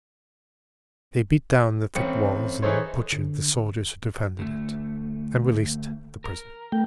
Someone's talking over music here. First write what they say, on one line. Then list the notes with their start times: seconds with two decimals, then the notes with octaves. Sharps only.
They beat down the thick walls and butchered the soldiers who defended it, and released the prisoners.
1.96 A1 C4 C#7
2.62 E3 D#4 G#4 A4 C5 C#5
3.12 D3
4.39 D2 A3
6.24 A#4
6.72 A3 G5